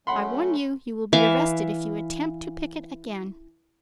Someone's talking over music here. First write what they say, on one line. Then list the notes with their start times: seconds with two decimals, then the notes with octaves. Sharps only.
"I warn you, you will be arrested if you attempt to picket again."
0.07 F#3 A3 C#4 F#5 B5 C6
1.13 E3 E5 F5